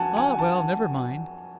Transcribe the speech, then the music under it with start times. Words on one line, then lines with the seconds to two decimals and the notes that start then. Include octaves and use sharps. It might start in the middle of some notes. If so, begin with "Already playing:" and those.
Ah, well, never mind.
Already playing: F2 F#3 F#5 G#5 A5
0.17 G#5
0.39 A5